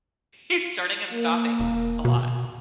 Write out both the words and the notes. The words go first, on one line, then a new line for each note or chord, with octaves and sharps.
he's starting and stopping a lot.
A#3
E1
B2